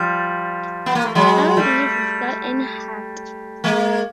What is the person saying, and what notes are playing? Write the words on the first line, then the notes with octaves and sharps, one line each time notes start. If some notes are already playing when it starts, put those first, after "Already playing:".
I don't believe you've got any heart.
Already playing: F3 G3
B3
A#3
A3
F#3 G#3
G3 A3
G#3 A#3